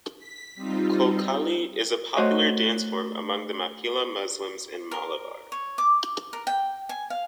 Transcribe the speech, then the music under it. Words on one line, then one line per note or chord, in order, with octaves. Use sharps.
Kolkkali is a popular dance form among the Mappila Muslims in Malabar.
B6
G3 C4 D#4 F4
A3 F#4 C5 C#5 D#5 E5
A#4
C#5
D6
A#4
G5
G#5
F5